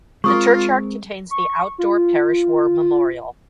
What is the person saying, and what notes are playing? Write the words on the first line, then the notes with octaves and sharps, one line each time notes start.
The churchyard contains the outdoor parish war memorial.
G#3 C4 F4 A#4 C#6 D#6
C#6
F4